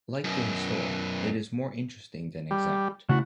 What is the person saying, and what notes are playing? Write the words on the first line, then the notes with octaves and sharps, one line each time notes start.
Like the "Histoire", it is more interesting than exact.
B1 F#2
G3
C#3 A3 E4 F#4